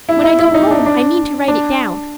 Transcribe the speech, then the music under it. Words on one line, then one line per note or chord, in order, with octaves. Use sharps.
When I go home I mean to write it down.
E4
E4
E4
D#4
D4
D4
D4